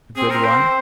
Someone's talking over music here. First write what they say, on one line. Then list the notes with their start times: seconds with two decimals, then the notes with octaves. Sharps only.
A good one?
0.16 C4 G#4
0.30 C4 A#4
0.45 C5